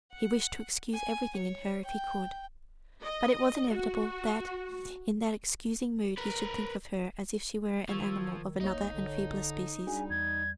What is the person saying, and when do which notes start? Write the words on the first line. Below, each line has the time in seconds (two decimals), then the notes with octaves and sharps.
He wished to excuse everything in her if he could--but it was inevitable that in that excusing mood he should think of her as if she were an animal of another and feebler species.
0.12 F#5
0.93 G#5
1.36 C#5
1.85 G5
3.03 D#5
3.70 F#4
6.17 A#4 B4
7.89 D#3 F3 C#6 E6 G#6
8.61 A1 A#3 D#4 C#5
8.93 D3
9.87 G3 D4 F#4 G#4 G#5
10.10 E2 G#6